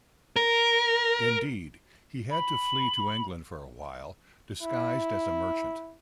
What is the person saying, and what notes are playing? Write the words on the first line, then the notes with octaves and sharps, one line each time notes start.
Indeed, he had to flee to England for a while, disguised as a merchant.
A#4
B5
E4